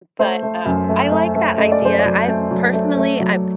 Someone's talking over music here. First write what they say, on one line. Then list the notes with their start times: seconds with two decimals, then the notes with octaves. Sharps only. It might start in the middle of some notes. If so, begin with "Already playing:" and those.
but, um, I like that idea, I personally I
0.19 A3 C5
0.43 A3
0.66 F#2
0.89 A3
1.12 A3
1.35 A3
1.58 A3 D#5
1.72 D5
1.82 F#2 C5
1.99 D5
2.05 F#3
2.28 A3
2.51 F#3
2.73 A3
2.97 A3
3.20 F#3